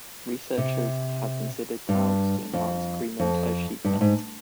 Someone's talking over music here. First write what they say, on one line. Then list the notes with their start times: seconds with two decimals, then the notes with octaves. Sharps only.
Researchers have considered clouds to enhance Greenland ice sheet melt.
0.58 C3
1.89 G2
2.53 F2
3.20 F2
3.85 G2
4.01 G#2